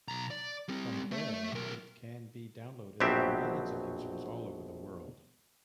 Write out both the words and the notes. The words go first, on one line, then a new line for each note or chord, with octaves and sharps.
From there, it can be downloaded by millions of users all over the world.
B1 A#5
D5
G3 C4
A3 E5
B1 A#4
A#1 B2 F#3 C4 G4 E5